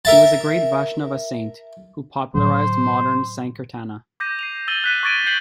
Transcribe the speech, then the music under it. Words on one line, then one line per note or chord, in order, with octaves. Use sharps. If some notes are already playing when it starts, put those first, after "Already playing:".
He was a great Vaishnava saint, who popularized modern sankirtana.
A#4 E5 A5
A2 D3 F#3 C5
D6 G6 A#6 D#7
C7 D#7 F7
E6 A6 D#7 F#7 G7
F#6 B6 D#7
C#6 D6 G#6 A6 D7 D#7
G6 B6 C7 F#7